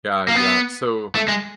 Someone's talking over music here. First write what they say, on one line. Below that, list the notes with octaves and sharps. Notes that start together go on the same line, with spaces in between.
Yeah, yeah, so,
A#3
B3
A3
G#3